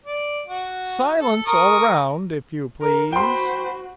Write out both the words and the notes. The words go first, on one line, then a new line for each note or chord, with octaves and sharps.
Silence all round, if you please!
D5
F#4
A4
A#4 C#6 D#6
A#4
F#4 C5 G5 B5 C6